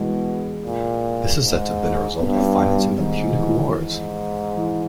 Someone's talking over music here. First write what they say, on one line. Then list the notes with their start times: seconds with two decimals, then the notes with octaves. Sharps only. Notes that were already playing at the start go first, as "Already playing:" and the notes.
This is said to have been a result of financing the Punic Wars.
Already playing: B2 E3 G#3
0.62 A#2
1.42 G#2
2.20 G2 B3
2.39 C#4
2.60 B3
2.79 G3
2.99 G#2 D#3
3.31 D#3
3.38 E3
3.78 G#2
4.57 E3